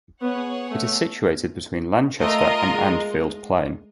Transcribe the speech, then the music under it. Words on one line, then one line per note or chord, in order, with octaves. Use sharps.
It is situated between Lanchester and Annfield Plain.
B3 G#4 C#5 F#5
A3
A3 F4 A#4 D#5
G#3